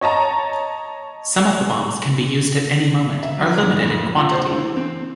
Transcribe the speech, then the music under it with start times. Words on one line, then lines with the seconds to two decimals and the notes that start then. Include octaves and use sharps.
Some of the bombs can be used at any moment, are limited in quantity.
0.01 C#5 D#5 A5 A#5
3.23 E5
3.38 F#3
3.63 G2
3.81 F2
4.17 F4
4.31 C5
4.51 E3
4.77 C4